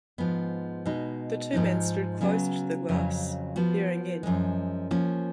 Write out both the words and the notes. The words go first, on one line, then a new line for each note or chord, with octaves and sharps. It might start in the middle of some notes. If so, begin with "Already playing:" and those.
The two men stood close to the glass, peering in.
G#2 F3 G#3 B3
B2 G#3 D#4
G#2 F3 G#3 D#4
C#3 F#3 B3 F#4
F2 C#3 F#3 C#4
F3 B3 F#4
F#2 F3 G#3
F3 A#3 C#4